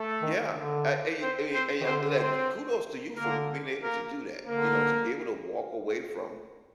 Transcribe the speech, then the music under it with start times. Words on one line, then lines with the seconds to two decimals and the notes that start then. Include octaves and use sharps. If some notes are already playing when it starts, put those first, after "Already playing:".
Yeah. I and y and y and y and, like, k kudos to you for b being able to do that. You know, to be able to walk away from
Already playing: A3 A4
0.22 D#3
0.55 D3
1.21 C4 C5
1.54 C4 C5
1.81 D#3
1.86 D3 C4 C5
2.19 C4 C5
3.17 D3 A#3 A#4
3.83 A#3 A#4
4.48 D3 A#3 A#4